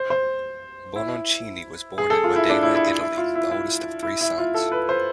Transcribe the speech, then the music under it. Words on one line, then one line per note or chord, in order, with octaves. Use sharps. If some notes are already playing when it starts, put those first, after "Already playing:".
Bononcini was born in Modena, Italy, the oldest of three sons.
Already playing: C5
C5
E4
G#4
A4
F4
E4
D4
E4
E4
E4
E4
F4
E4
E4
E4
E4
F4
A4
B4
C5